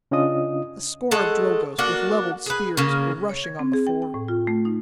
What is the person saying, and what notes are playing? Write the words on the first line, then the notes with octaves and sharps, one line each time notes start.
A score of Drilgoes, with leveled spears, were rushing on the four.
C#3 C#4 D4 F4 D#5 D#6
G#3 A3 A4 F#5
A#3 D4 F#4 F#5
G#4 B4
C#3 A#3
C#5
G#6
C4
G#4
G5
G5
A2
F4
A3
D#4